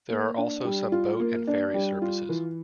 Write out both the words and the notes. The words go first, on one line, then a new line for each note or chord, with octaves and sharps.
There are also some boat and ferry services.
A#3
D4
G3
F4
A#3
D4
G3
F4
E3